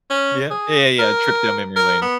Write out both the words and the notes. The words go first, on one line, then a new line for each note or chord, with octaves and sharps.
Yeah, yeah, yeah, yeah, a trip down memory lane.
C#4
G#4
A#4
A#4
B3